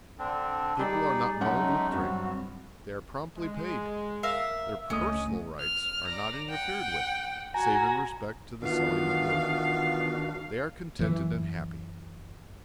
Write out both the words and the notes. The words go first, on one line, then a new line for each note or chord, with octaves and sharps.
The people are not muddled with drink; they are promptly paid; their 'personal' rights are not interfered with, save in respect to the selling of liquor; they are contented and happy.
D3 C4 D4
G3 D#4 G#4 D5
B1 G#3 A3 C#4 D#4 F#5
G2 F#3 C4 F#4
G#3
A#4 E5 F5
C#2 A3 C#4 D#5 D#6
F6
D5 A#5
F#5 G5
F#4 G#5 A#5
D#3 E3 B3 D4 F4 F#4 F5
F#1 E3